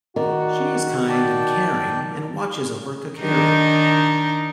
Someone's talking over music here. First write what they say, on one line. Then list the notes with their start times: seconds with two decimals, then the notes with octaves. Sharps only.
She is kind and caring and watches over Kakeru.
0.16 D#3 F#4 D5
1.09 D5 G5 A5
3.21 D#3 D4 D#4